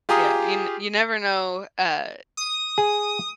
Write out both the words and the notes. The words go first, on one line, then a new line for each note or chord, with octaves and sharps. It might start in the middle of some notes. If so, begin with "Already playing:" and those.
Yeah, you n you never know, uh,
F4 G4 G#4 A#5 D#6
D#6
G#4 G#5